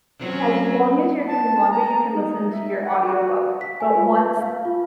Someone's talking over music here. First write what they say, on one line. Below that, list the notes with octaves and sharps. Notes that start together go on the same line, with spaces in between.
"As long as you're doing laundry, you can listen to your audiobook. But once
F#3 C4 C#4
A5
A#5
D#4
E5
F#5
F#4
B6
G#5
F4
B4
F5
F4